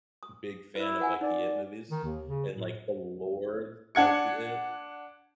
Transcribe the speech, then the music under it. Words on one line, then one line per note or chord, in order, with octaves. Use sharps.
big fan of, like, the It movies and, like, the lore of the It.
D#6
E4 B4 C5
B4 F#5 G#5
D#4 D5
D#3
D#2
C#3
A2
D4 F#5 G#6 C#7